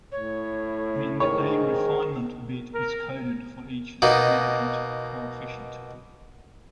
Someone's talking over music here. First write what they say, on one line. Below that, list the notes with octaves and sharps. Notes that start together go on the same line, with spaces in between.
And A refinement bit is coded for each significant coefficient.
A2 C#5
G#2 D#3 G#4 A#4 C#5
A#4
B2 A#3 D#4